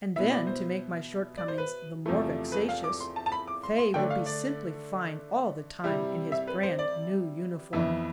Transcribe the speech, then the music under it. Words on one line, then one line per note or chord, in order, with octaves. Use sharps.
And then, to make my shortcomings the more vexatious, Faye will be simply fine all the time, in his brand new uniform!
B2 B3 E4 E5
D5
C5
D5
C5
B4
E2 C3 F3 A3 E4
B4
F5
D6
C6
A5
A5
B5
D6
C6
C6
D3 A3 D4 G5
F5
D5
C3 G3 C4 E4
E5
B4
C5
D5
F2 E3 B3 E4 E5